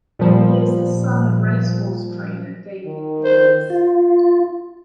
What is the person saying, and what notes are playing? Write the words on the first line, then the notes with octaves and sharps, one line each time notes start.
He is the son of racehorse trainer David Hayes.
A#2 F3 G3
D#3
C5
F4